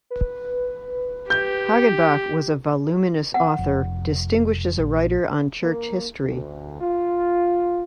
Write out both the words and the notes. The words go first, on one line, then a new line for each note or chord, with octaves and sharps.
Hagenbach was a voluminous author, distinguished as a writer on church history.
B4
G4 G6
F#5
F1
A#1
A#3
D2
F4